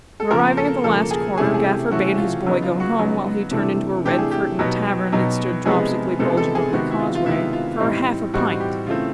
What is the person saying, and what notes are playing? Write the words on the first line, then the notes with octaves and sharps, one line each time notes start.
But, arriving at the last corner, Gaffer bade his boy go home while he turned into a red-curtained tavern, that stood dropsically bulging over the causeway, 'for a half-a-pint.'
A4
C#3 F3 A#3 A#4
A4
C#3 F3 A#3 A4
G#4
C3 E3 A3 C#4 G#4
G4
G#4
G4
C3 E3 A3 C#4 F#4
F4
C#3 F#3 B3 D#4
F4
F#4
C#3 F#3 B3 D#4
C3 E3 A3 D4
C3 E3 A3 D4 G4
G#4
G4
B2 F#3 B3 D#4
B2 F#3 B3 D#4
C3 F3 G#3 B3 D#4 G#4
C3 F3 G#3 B3 D#4 A4
A4
G#4
C3 D#3 G#3 B3 F#4
E4
F4
F4
C3 D#3 G#3 B3 E4
F4
A2 E3 G3 C4 D#4
A2 E3 G3 C4 D#4 F#4
G4
C#3 E3 A3 C4 F4